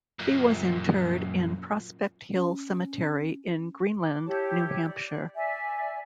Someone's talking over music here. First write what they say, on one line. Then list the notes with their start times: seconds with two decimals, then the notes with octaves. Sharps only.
He was interred in Prospect Hill Cemetery in Greenland, New Hampshire.
0.19 F#2 A#2
2.33 C#4
3.97 D6
4.26 E4 G4 C#5 A5
4.85 D5
5.34 D5 E5 G#5